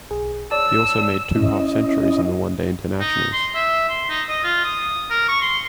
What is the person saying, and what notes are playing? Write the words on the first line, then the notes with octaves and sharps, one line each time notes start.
He also made two half centuries in the one day internationals.
B1 G#4
C#5 D5 A5 E6
C#4 E4 D#5
D#4
C6
E5
C6
D#4
D#5
F4
D#6
A#4
C#6
C6